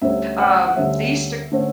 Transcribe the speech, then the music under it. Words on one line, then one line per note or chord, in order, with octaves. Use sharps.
um, I used to
D2 D3 G3 C#4 E5
F#5
F#5
D2 D3 G3 C#4 E5
D3 A3 C#4